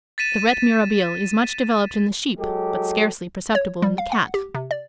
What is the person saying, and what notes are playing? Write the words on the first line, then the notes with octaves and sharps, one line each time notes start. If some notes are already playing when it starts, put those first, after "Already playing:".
The rete mirabile is much developed in the sheep, but scarcely perceptible in the Cat.
A6 B6 D#7 E7
F#3 G#3 G4 A4
C#5
G3
F5
F#5
G4
C3
D5